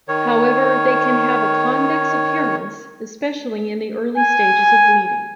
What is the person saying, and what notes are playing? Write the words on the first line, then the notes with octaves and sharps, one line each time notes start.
However, they can have a convex appearance, especially in the early stage of bleeding.
D#3 C#5
G#5